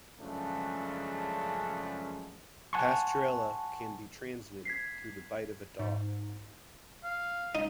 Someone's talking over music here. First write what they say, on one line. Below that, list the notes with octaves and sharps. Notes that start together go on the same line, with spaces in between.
Pasturella can be transmitted through the bite of a dog.
F#2 C#3 F3 G#3 A3 D4
F#5 G#5 A5 C6 C#6
G#6 B6 C7
G#2
F5
D#4